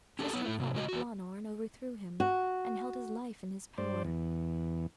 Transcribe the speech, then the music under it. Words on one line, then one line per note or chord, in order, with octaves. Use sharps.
Tristram fought with Blaanor, and overthrew him, and held his life in his power.
C#4 G4 A4 A#4
B3 B4 C#5
A2 A3
G#2 C3 F#3
C#3 G#3 F#4 D#5
E2 F#4
F#4
G2 C5 D5
E2